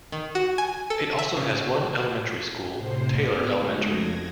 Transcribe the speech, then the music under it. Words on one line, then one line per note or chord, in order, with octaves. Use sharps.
It also has one elementary school, Taylor Elementary.
D#3
F#4
G#5
A4
E5
C#3
A2 C3 C5 C7
B3 D5 F6
C#3 G#3 A3 D#4 F#4
F2 G#6 A#6